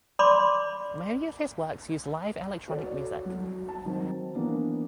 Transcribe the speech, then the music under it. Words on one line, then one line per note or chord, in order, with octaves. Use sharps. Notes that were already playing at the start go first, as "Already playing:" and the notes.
Many of his works use live electronic music.
D5 B5 C6 D6
F#4 A4 C#5 D5
F#3 F#4
A5
D#3 F#3 C4
E3 A#3 B3 D4